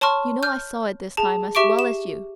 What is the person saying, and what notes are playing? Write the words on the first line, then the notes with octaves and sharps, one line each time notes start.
You know I saw it this time as well as you.
C#5 A5 C6 C#6 F6
F6 G6
G#4 A5
G4 E5 C#6 D6 D7
E7